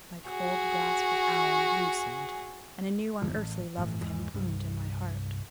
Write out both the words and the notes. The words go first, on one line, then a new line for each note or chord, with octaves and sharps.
My cold grasp of Allan loosened and a new unearthly love of him bloomed in my heart.
F#4 G#4
G1 E2 D3 F3
A1
G1 A2 C3 E3
E2 G#2 E3
C2 G2